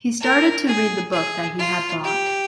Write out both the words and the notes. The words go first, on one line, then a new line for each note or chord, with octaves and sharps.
He started to read the book that he had bought.
A#4
G#4
G#4
F4
G4